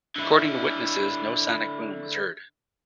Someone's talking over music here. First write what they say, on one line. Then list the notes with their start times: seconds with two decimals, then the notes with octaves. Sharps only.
According to witnesses no sonic boom was heard.
0.16 D3 E4